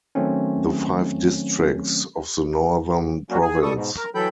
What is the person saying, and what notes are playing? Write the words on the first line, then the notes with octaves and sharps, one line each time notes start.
The five districts of the Northern Province.
D#3 F#3 A3 C4 C#4
F#3 A#3 C#4 D4 F#4
G#4 G#5
B2 G3 A4 C#6 D#6
G#2 B2
A#4
E3 F#3 A4 G5 B5 G6